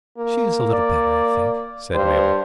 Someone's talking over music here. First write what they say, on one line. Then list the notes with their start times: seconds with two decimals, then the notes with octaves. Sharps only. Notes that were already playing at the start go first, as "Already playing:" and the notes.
"She is a little better, I think," said Mabel.
0.18 A#3
0.73 D5
1.94 G2 C5